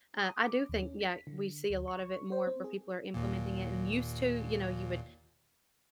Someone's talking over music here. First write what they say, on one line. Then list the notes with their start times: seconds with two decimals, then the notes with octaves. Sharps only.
uh, I do think, yeah, we see a lot of it more where people are implementing it and used to. You know, you would,
0.18 D#6
0.45 D6
0.69 D#2
0.83 C#4
1.01 B6
1.27 D3
1.70 D2
1.88 C#6
2.32 C5
2.47 C4
2.64 G#4
3.14 D#2 A#2